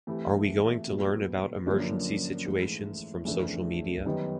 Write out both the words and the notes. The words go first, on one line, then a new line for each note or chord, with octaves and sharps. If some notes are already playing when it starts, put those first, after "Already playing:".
Are we going to learn about emergency situations from social media?
E3 A3 C4 E4 G4
A#2 F#3 B3
F#2 D3 F3 A#3 D4
G#2 E3 A3
F2 C#3 E3 A3 D4
F#2 D#3 G3 B3 D#4